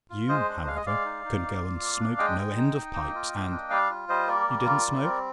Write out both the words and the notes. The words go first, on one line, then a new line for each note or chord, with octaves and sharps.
You, however, can go and smoke no end of pipes and--YOU DIDN'T SMOKE?
F4
G#3 C5 D#5
D4
G#3 F5
D#5
G#3 D5 F5
D#4
D#4
A#3
F4
A#3
D4
G#3 D#5 G5
G#3
D#4
D#4
A#3
F4
A#3
D4
G3 D5 F5
F4
G3 C5 D#5
A#3 A#4 D5
G3
F4
G3
C4